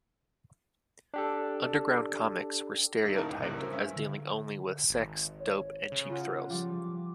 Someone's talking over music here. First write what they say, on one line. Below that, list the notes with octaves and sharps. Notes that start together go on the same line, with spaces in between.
Underground comics were stereotyped as dealing only with sex, dope and cheap thrills.
D4 G4 A4
D#3 A3 D#4
A1 C#3 A#3 D#4 A#4 A5
C#2
C#2 F#2 A2 G3 A#3
C4 C#4 F#4 A#4 E5
G2 C#4 E5
D3
G#1
C#5
C#3
F4 F#5
F3 G3 D6